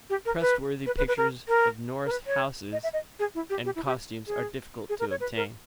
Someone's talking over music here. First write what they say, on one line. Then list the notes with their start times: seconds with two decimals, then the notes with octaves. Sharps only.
Trustworthy pictures of Norse houses and costumes are difficult to obtain.
0.10 G4
0.25 A#4
0.40 B4
0.86 B4
0.98 B4
1.08 B4
1.18 A#4
1.48 A#4
2.06 A#4
2.11 B4
2.27 C#5
2.72 D#5
2.83 E5
2.93 D#5
3.19 G#4
3.35 E4
3.50 G4
3.65 G4
3.76 E4
3.86 G4
4.27 G#4
4.89 G#4
5.00 A#4
5.10 C#5
5.20 B4
5.36 A#4